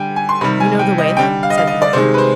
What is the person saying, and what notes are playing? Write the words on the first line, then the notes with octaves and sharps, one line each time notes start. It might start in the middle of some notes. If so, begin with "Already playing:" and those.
'You know the way then?' said the other.
Already playing: D3 G3 G5 G#5
G#5
C6
C3 D#3 G3 B5
G#5
G5
D#5
D3 G3 G5
F5
D#5
F5
D#5
D5
C3 D#3 G#3 C5
B4
C5